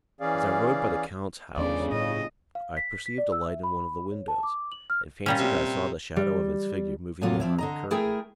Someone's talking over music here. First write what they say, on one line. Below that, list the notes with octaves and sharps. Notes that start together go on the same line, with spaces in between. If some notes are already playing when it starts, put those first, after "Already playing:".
As I rode by the count's house I perceived a light in one of the windows, and fancied I saw the shadow of his figure moving behind the curtain.
E3 C#4 G#4 D5 F5
G1 E2 C#3 A3 C#4 D5
A2 D#5
F5
B6
B6
D5
E6
E5
B5
C#5
A5
D6
F#7
F6
A#2 G3 C#4
C3
G3
A2 C3 F#3 A#3 F4
F3 C4 E4
D3 D#5 A#5
A3 E4 G#4 A#4 G5